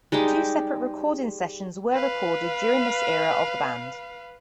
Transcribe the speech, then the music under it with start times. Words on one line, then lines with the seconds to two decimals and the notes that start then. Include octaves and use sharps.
Two separate recording sessions were recorded during this era of the band.
0.12 G3 G#3 D#4 G4
1.93 B4 F5